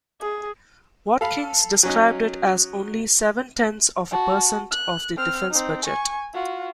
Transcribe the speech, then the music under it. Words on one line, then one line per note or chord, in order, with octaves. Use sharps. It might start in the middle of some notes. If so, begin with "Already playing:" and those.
Watkins described it as only seven-tenths of a percent of the defense budget.
G#4
A4 F5 B5
F#3 C#4 D#4
F#4 A5
F#6
C4 F6
C4 D#4
G#5 C#6
F4 F#4